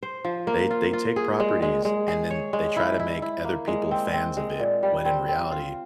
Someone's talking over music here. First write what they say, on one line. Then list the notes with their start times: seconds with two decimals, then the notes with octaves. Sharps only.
They they take properties and then they try to make other people fans of it, when in reality,
0.03 C5
0.25 F3
0.47 A#3
0.70 F4
0.93 F4
1.16 G#4
1.40 G#3
1.62 G#3
1.85 G#3
2.08 G#4
2.31 C#5
2.53 G#3
2.77 E4
2.99 E4
3.22 E4
3.45 A#3
3.68 G#3
3.91 C4
4.13 C4
4.37 G#3
4.60 A#2
4.83 G3
5.05 C4
5.28 C4
5.51 F4